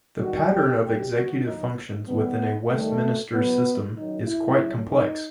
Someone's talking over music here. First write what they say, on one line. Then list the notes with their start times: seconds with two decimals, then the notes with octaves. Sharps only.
The pattern of executive functions within a Westminster System is quite complex.
0.20 G2 D#3 G3 F#4
0.51 G4
0.82 E2 B2 F#3 G4
1.14 F#4
1.46 D#2 D#3 F#3 D#4
2.07 D#2 D#3 G3 B3
2.71 D#2 D#3 G3 A3
3.33 E2 B2 F#3 B3
3.96 F#2 D#3 F#3 D#4
4.28 E4
4.58 A2 F#3
4.90 D#4